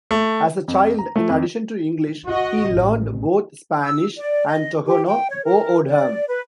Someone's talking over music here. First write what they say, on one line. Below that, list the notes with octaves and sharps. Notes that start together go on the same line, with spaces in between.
As a child in addition to English he learned both Spanish and Tohono O'odham.
A3
F2
A#5
A3
F2
F#4 D#5
A1
E6
D5
D#5
G4
G5
C#5
A#4
D5
B4